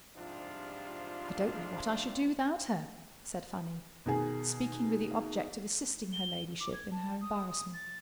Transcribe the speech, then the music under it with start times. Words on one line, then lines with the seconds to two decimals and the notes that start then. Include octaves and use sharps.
"I don't know what I should do without her," said Fanny, speaking with the object of assisting her ladyship in her embarrassment.
0.17 G#2 C3 F3 G3 D4 F4
4.06 B2 D#3 G#4
6.13 G7
6.60 D6
6.73 G#6
6.91 A5
7.21 D#6
7.50 D#6
7.73 A6